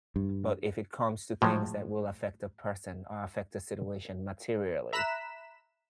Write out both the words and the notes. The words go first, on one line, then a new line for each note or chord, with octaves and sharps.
but if it comes to things that will affect a person, or affect the situation materially,
G2
A2 F3 F#3 G#3
E5 A#5 B5 F#6 B6 E7